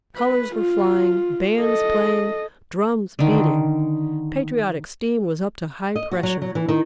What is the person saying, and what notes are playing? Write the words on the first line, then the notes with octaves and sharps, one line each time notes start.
Colors were flying, bands playing, drums beating, patriotic steam was up to high pressure.
B4
F4
A4 D#5
D3 D#3
D#5
F#4
F#3
F#3
E3
D#3